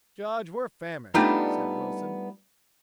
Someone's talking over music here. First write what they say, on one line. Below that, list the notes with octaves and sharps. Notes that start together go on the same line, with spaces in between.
"Judge, we're famished," said Wilson.
G3 A3 B3 D4 D#4 F4